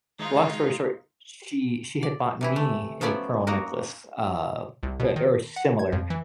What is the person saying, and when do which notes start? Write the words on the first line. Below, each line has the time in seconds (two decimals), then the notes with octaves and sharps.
long story short, she she had bought me a pearl necklace, uh, eh or similar.
0.19 D#3 G#3 D#4 F4
2.03 D5
2.41 C3 E3 E4
2.56 A3
3.01 F3 F#3 B3 C#4 D5 E5
3.47 A#3 D#4 F#4 A#4
4.83 C2
5.00 B2
5.16 D#3
5.56 F#5
5.79 G#6
5.92 F2
6.10 E3